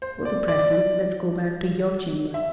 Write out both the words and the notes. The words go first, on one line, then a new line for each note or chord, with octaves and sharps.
For the present let's go back to your chambers.
C5
D5
D5
E5